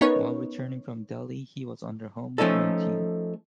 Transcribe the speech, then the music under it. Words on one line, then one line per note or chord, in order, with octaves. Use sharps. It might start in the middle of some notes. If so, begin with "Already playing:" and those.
While returning from Delhi he was under home quarantine.
B3 C#4 D#4 A#4 B4 C#5
F3 A3 C#4 D#4 A4